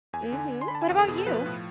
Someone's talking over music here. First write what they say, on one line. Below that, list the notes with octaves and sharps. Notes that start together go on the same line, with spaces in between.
Mhm. What about you?
E2 G#5
D3
D3
C6
B5
D3 A5
G#5
E2 F5
A4
B2 G#4
A4
F3 B4
A2